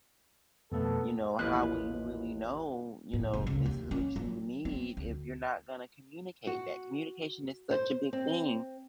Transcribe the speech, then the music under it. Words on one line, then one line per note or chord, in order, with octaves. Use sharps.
you know, how will you really know, you know, this is what you need if you're not gonna communicate that, communication is such a big thing
F2 B2 A3 B3 A4
A1 D#2 F3 A#3 E4 B4 F#6
A2
F1
C#2
D#2
C#4
F#3
C4
D2
F#4
C5
C4